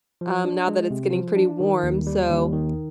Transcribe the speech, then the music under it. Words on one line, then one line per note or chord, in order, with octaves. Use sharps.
um, now that it's getting pretty warm, so,
F3
D4
G#3
C3
F3
D4
D#3
D#2
G3
D#2
D#3